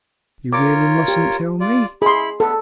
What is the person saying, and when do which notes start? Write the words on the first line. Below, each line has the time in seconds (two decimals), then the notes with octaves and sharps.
"You really mustn't tell me?"
0.53 F4 A#4 C#5 D6
1.08 G4
1.60 F4 D5
2.02 E4 G#4 B5 C6
2.40 B3 A4